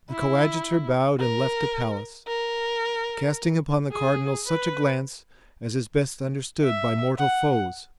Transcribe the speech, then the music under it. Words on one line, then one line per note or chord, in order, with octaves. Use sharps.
The coadjutor bowed and left the palace, casting upon the cardinal such a glance as is best understood by mortal foes.
E4
A#4
A#4
G#4
B4
E5
F#5